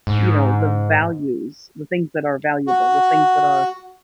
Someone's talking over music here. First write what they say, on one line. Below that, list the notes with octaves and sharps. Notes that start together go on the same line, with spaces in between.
you know, the values, the things that are valuable, the things that are
G#2
F#4